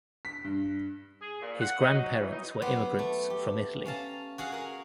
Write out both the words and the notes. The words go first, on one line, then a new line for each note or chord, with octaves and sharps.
His grandparents were immigrants from Italy.
B6
G2
G#4
A#2
F#5
D#4
F#3
E3
D#4
F#3 B3 G4 C5
A3
G4
C#4 F5 A5 A#5
F#4 G#4 F5 F#5
G#4 A#4